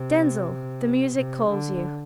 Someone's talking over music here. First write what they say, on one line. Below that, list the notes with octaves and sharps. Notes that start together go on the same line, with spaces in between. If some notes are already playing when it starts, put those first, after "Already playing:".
Denzil, the music calls you.
Already playing: C3
C3
D3